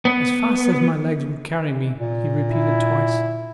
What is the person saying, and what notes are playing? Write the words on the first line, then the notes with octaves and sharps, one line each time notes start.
"As fast as my legs would carry me," he repeated twice.
B3
A#2
E4